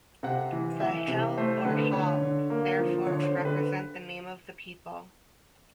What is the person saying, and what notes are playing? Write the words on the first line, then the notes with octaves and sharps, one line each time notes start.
The "Hil-" or "Hal-" therefore would represent the name of the people.
C3 F#5
E3
E3 E5
C3
A3 C5
D3 B4
D3 C#5
D3
A#3
F3
D3 C#5
C5
D3
B4